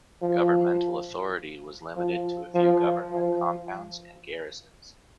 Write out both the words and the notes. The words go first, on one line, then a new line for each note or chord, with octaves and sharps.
Governmental authority was limited to a few government compounds and garrisons.
F3
F3
F3
F3